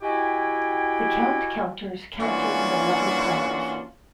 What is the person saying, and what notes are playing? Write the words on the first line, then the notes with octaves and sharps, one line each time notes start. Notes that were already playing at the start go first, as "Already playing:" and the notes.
The Count counters, counting the "lovely colors".
E4 F#4 G4 D#5 G5 G#5
E3 A#3 C#4 D4 F4 F#4